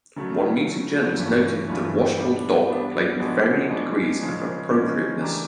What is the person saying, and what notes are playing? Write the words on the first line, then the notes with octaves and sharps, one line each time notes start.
One music journalist noted that Washboard Doc "played with varying degrees of appropriateness".
C#3 F#3 A3
C#3 F#3 A3
G2 E3 A3 C#4 F4
G2 E3 A3 C#4 F4
G3 B3 D4
G3 B3 D4
F3 G#3 B3 D4 F#4
F3 G#3 B3 D4 F#4
C#3 F3 G#3 C#4
C#3 F3 G#3 C#4
E3 A3 D4 G4 A#4